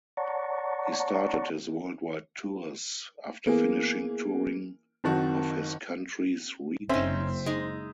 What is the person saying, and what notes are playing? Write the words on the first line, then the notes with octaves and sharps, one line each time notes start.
He started his worldwide tours after finishing touring of his country's regions.
C#5 D5 F#5 A5 A#5 C#6
E3 A#3 B3 G#4
F#1 D#3 C4 F#4 A5
F#1 C4 C#4 D#4 E5
G#3 D#4